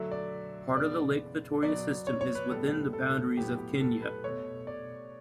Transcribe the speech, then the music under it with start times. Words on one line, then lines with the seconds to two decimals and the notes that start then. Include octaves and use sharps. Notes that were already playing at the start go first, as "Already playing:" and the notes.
Part of the Lake Victoria system is within the boundaries of Kenya.
Already playing: D3 F#3 A3 E5
0.12 D5
0.77 C#3 E3 B3 D5
1.63 B2 F#3 B3 D5
2.07 C#5
2.21 C#5
2.35 B4
2.50 A2 G3 B3 A4
2.93 A4
3.37 A2 F#3 B3 G4
3.58 G4
3.80 A4
4.02 B4
4.24 B2 A3 C#5
4.67 D5